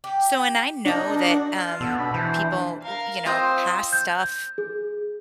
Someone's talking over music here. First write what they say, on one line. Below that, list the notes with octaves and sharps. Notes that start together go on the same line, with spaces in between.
So and I know that, um, people, u you know, pass stuff,
G4
A#3 D4 D#4
F#4
F4
B2 B3 A4
D4 B5
E3 C5
A#4 F5
C4 F4 C5 D#5 G5
G6
G#4